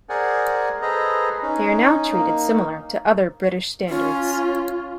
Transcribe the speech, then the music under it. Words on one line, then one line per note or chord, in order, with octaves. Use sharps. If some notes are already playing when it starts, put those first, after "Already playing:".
They are now treated similar to other British Standards.
G#4 A#4 C5 D5 F#5 G#5
G#4 A4 B4 C5 D#5 A#5
C#4 D#4
A#3 D#4
C#4 F4